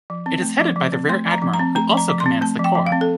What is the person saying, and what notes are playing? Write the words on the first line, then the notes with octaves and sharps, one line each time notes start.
It is headed by the Rear Admiral, who also commands the Corps.
F3
C4
A3
F3
F3
C4
A3 C6
F3
A#5
F3
A#5
C4
A3 A#5
F3
A#5
F3
C6
C4
A3 A5
F3
G5
F3
F5
C4
A4